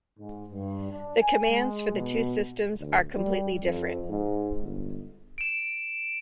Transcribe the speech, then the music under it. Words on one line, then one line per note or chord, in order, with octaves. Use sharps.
The commands for the two systems are completely different.
G#2
G2
D4
G#5
G#3
B2
D2
G3
F2
G#2
G1
D7 E7